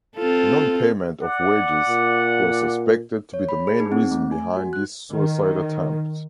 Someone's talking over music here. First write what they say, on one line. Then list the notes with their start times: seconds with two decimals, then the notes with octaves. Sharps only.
Non-payment of wages was suspected to be the main reason behind this suicide attempt.
0.16 C4 F4 A4
1.22 D5 F#5
1.89 A#2
3.34 C#5
3.49 B5
3.67 G#4
3.80 D#4
3.92 C4
4.11 A3
4.32 G#5
4.57 F#4
4.73 F#6
5.12 D#3